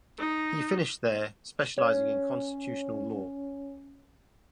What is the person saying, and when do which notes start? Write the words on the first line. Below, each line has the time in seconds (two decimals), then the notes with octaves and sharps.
He finished there, specializing in constitutional law.
0.19 D#4
1.78 C#4 C#5